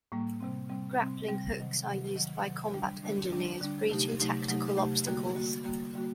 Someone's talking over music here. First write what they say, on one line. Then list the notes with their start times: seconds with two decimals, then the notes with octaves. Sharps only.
Grappling hooks are used by combat engineers breaching tactical obstacles.
0.12 A2 G3 A#3
0.40 C3 G3 C4
0.69 C3 G3 C4
0.99 C3 G3 C4
1.29 C3 G3 C4
1.57 C3 D#3 F#3
1.86 C3 D#3 F#3
2.15 C3 D#3 F#3
2.45 C3 D#3 F#3
2.73 D3 G3 D4
3.03 D3 G3 D4
3.32 D3 G3 D4
3.61 D3 G3 D4
3.90 C3 F#3 A3 D#4 G4
4.20 C3 F#3 A3 D#4 G4
4.48 C3 F#3 A3 D#4 G4
4.77 C3 F#3 A3 D#4 G4
5.06 D3 G3 A#3 F#4
5.35 D3 G3 A#3 F#4
5.65 D3 G3 A#3 F#4
5.94 D3 G3 A#3 F#4